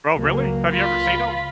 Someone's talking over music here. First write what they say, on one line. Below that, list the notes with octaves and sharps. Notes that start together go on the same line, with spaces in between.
Oh, really? Have you ever seen 'em?
C#2 F#3 A#3
C#2 F4 B5